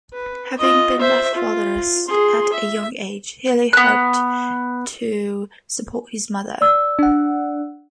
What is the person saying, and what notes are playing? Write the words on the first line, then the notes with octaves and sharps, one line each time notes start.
Having been left fatherless at a young age, Healy helped to support his mother.
B4
F4 D#5
C5 E5
F4
G#4 C6
E5
B3 F#6
D5 E6
D4 F#5